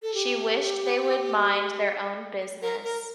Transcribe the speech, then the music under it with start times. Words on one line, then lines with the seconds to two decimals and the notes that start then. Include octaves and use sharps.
She wished they would mind their own business.
0.03 A4
0.14 G4
2.62 A#4
2.83 A#4